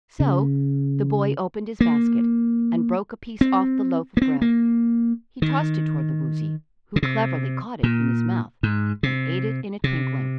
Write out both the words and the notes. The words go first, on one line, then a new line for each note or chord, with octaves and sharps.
So the boy opened his basket and broke a piece off the loaf of bread. He tossed it toward the Woozy, who cleverly caught it in his mouth and ate it in a twinkling.
C#3
A#3
C4
A#3
C4
A#3
D#3
C#3
C3
A#2
G#2
C3
C3